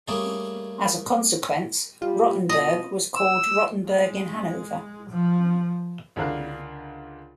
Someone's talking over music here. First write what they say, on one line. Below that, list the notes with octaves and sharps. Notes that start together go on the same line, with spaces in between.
As a consequence, Rotenburg was called "Rotenburg in Hannover".
G3 A3 A#3 C#4 D4 G#4
G3 F4
B2 D#5
E6
G#3
F3
C#2 D3 D4 A#4 F5 F#6